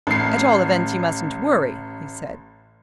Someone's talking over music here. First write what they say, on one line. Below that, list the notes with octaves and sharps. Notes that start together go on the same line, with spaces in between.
"At all events, you mustn't worry," he said.
A1 C7